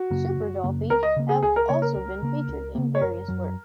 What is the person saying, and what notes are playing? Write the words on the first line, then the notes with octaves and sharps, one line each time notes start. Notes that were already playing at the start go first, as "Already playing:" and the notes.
Super Dollfie have also been featured in various work.
Already playing: F#4
F#2 C#3 A#3
F#1
F#2 C#3 A#3
C#2 A#4
D#5
C#3 A#3
G#4
C#2 G#4
A#4
C#3 A#3 C#5
A#4
C#2
C#3 A#3
C#2
C#3 A#3
C#5
F#1 A#4
F#2 F#3